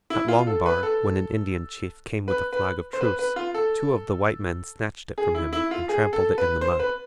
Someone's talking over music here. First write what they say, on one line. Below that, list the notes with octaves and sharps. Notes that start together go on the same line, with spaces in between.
At Long Bar, when an Indian chief came with a flag of truce, two of the white men snatched it from him and trampled it in the mud.
E4
F4
A4
B4
A4
B4
B4
C5
B4
B4
F4
A4
G#4
E4
E4
F4
G#4
A4
B4
C5
B4